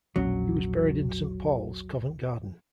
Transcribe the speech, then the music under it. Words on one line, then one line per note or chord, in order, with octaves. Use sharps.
He was buried in Saint Paul's, Covent Garden.
E1 A#1 F#3 C#4